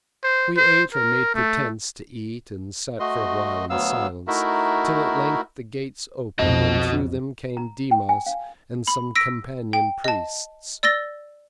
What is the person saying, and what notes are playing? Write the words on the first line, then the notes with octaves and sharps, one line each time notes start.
We ate, or made pretence to eat, and sat for a while in silence, till at length the gates opened, and through them came Dimas and some companion priests.
C5
C5
A#4
A3
A3 F#4 D#5 C6
D2 F#3 B3 F5 E6
A3 D#4 E4 F#4 A#4 E5
B1 F2 F#4 D#5
A#5
G5
G#5
F5
B5
E6 A#6 B6 D7
G5
D#5 A5
D5 E6 A6 A#6 G7